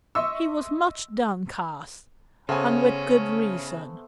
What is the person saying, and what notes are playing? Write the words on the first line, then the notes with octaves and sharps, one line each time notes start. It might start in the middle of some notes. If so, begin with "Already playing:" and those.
He was much downcast and with good reason.
D#5 E5 C6 C#6 E6
C#3 A3 B3 C#4 C5 G#5